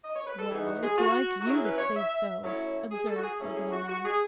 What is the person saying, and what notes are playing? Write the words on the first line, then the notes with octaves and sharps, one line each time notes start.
"Well! it's like you to say so," observed the little man.
D#5
C#5
B4
A4
E3 B3 D#4 G#4
F#4
G#4
F#4
F#4
F#3 C#4 E4 G#4
B4
C#5
E5
F#3 A3 C#4 E4 C#5
G#4
A4
F#4
G#4
F#3 A3 C#4 E4 G#4
G#4
F#4
F#4
G#4